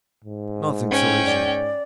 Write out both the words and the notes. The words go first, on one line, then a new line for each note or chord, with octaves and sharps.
Nothing so easy!
G#2
C#4 G5
D5